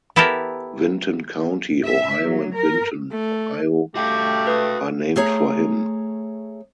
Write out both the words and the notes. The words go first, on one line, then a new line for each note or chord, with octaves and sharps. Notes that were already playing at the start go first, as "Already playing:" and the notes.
Vinton County, Ohio and Vinton, Ohio are named for him.
B3 E4 G4 A4 A#4
E5
F#3
A#4
A3
A3 F#4 G4 F5 G5
B4 D#6
A3 G#4 C#5 A#5